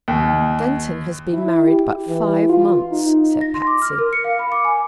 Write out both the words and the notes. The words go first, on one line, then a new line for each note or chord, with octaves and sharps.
"Denton has been married but five months," said Patsy.
D#2
E4
G4
E3
F4
D#4
A#6
C6
D6
F6
A#4
C#7
F5
B5
D6
G#5